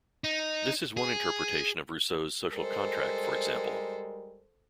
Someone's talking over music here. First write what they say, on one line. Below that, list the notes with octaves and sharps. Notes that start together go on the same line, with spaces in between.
This is one interpretation of Rousseau's "Social Contract", for example.
D#4
G#4
G3 G#3 A4 A#4 C5